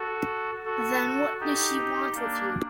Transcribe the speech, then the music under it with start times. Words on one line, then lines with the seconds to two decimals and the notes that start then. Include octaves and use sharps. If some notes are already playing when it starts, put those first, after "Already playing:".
Then what does she want with you?
Already playing: F#4 A4
0.65 F#4 A4
1.40 D#4 G4
2.15 A#3 D4